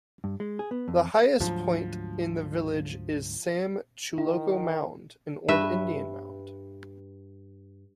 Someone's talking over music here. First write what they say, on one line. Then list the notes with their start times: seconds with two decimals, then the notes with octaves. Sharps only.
The highest point in the village is Sam Chuloco Mound, an old Indian mound.
0.24 G2
0.40 G#3
0.59 G#4
0.71 B3
0.88 F2
1.40 D2 G#2 F3 F#3
4.18 D#3 E4
5.48 G2 B4 E5